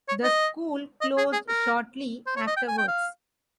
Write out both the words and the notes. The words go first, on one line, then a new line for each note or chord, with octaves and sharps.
The school closed shortly afterwards.
C#5
D#5
D#5
G#4
G#4
A#4
C5
C#5
D#5
G5
G#5
G5
F5